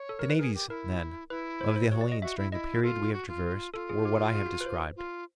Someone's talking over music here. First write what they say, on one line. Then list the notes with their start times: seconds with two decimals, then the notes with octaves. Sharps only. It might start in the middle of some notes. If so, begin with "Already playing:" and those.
The navies, then, of the Hellenes during the period we have traversed were what I have described.
Already playing: C#5
0.09 A4
0.19 A#4
0.30 B4
0.39 G#4 A#4
0.54 G4
0.69 E4 A#4
1.30 E4 B4
1.61 C5
1.76 C5
1.92 F#4 C#5
2.01 D5
2.12 D#5
2.21 F#4 E5
2.38 E4
2.52 E4 D#5
2.83 F4 A4
3.13 F#4
3.28 F4
3.74 F4 A4
3.89 G#4
4.05 G4
4.35 G#4
4.46 F#4
4.61 B4
4.66 C5
4.96 F4